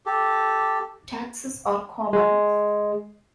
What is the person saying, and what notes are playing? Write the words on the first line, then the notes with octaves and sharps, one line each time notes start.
Taxis are common.
G4 A4
G#3